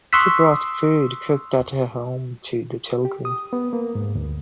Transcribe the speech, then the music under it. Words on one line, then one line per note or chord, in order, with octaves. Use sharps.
She brought food cooked at her home to the children.
C6 C#6 D#6 E6 F#6 B6
G4
D#6
B3
A#3
G#2
D2